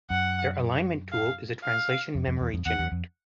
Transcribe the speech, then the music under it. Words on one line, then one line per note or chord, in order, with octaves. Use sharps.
Their Alignment Tool is a translation memory generator.
F#2 F#5
F5
F5
F2
F2
E2
F2
E2 F#5
E2
F2